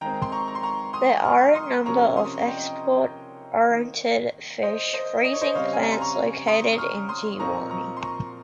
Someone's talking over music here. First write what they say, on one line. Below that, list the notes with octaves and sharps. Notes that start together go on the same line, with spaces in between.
There are a number of export oriented fish freezing plants located in Jiwani.
D#3 G#3 C4 G5 A#5
C6
A#5 C#6
A#5
C6
A#5 C#6
C6 D#6
C#6 F6
C6 D#6
C3 F3 A#3 C#4 A#5 C#6
C6 D#6
D#5 G5
D#3 A#3 D#4
C5 D#5
C5 D#5
D#5
C#5
C5 D#5
C#3 G3 C4 C#5 F5
G#5
A#5
C6
A#5 C#6
C6 D#6
D#6
C#6 F6
C6 D#6
A#2 F3 C4 D#4 A#5 C#6
A#5 C#6
C6
A#5 C#6